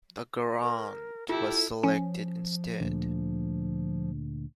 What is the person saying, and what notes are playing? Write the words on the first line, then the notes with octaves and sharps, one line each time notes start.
The Garand was selected instead.
A#4
E4 F4 G4 A4
F3 C#4
D2 A#2 D3